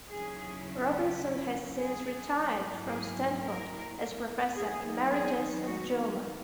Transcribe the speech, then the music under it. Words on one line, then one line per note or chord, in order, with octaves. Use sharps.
Robinson has since retired from Stanford as Professor Emeritus of German.
D#2 C#3 F#3 C#4 E4 G#4
G#4
G#2 F#3 A#3 E4
G#4
A#4
D#3 F#3 B3 D#4 G#4
G#4
F#4